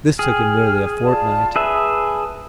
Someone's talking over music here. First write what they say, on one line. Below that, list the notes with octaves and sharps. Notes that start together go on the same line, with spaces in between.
This took him nearly a fortnight.
G#4 G5 F6
F4 D5 A5
G#4 B4 E5
A5